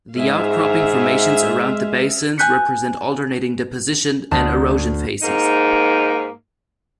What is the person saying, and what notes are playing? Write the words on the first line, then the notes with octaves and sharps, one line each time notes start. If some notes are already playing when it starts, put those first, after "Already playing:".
The outcropping formations around the basins represent alternating deposition and erosion phases.
G#2 G#3 G#4 E5 F5
G#5 F#6 G6 B6 C#7
D2 A5
G#2 A#3 D#4